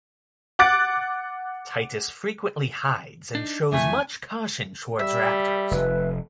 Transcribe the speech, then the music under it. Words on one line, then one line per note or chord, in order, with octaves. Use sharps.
Titis frequently hides and shows much caution towards raptors.
F#5 D6 F#6 A6 D7
D4 D#4
F2 E3 A3 G#5
G3 E5
F1 B4